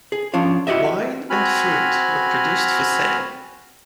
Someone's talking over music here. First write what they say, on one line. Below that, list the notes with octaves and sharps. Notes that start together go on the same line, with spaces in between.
Wine and fruit were produced for sale.
G#4
F3 C#4 D4 F4
E4 F#4 G4 D#5 E5
C4 F#4 G#5 B5 F6